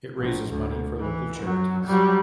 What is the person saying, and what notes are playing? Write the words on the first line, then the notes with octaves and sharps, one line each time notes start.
It raises money for local charities.
A#1
D2
E3
F#2 F#3
F#3 G3